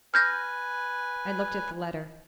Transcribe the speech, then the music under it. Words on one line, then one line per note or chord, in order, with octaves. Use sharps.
I looked at the letter.
B4 G#5 F6 G6 A#6